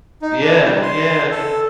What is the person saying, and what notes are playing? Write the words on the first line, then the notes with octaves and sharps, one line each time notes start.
Yeah, yeah.
D#4
D4
G3
C6
A4